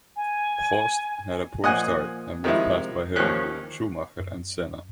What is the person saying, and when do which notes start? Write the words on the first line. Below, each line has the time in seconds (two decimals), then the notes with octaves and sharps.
Prost had a poor start and was passed by Hill, Schumacher and Senna.
0.16 G#5
1.64 A#2 F3 D#5 F#5 G#5
2.44 C3 D#3 F3 G#3 E4
3.16 D#2 D#3 F3 C#4 F#6
4.20 F#2